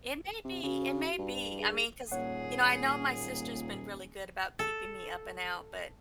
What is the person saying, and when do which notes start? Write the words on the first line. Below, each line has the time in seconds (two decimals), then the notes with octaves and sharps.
It may be, it may be, I mean, 'cause you know, I know my sister's been really good about keeping me up and out, but,
0.45 C3
0.63 C#3 F#4
1.19 G2
1.58 G#4
2.12 D#1 A#2 G#4 C#5 F#5
4.59 A4